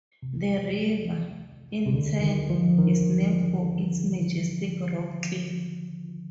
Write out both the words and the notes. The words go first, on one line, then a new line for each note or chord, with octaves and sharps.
The river, in turn, is named for its majestic rock cliffs.
C3
C3
D3
D#3
F3
D#3